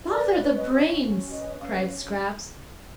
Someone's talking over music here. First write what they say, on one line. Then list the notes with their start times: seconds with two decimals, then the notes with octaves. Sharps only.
"Bother the brains!" cried Scraps.
0.10 B4 D5
0.41 C#4
0.56 D#5
0.71 F#4
1.01 C#4
1.31 B4 D#5
1.60 C#4 F5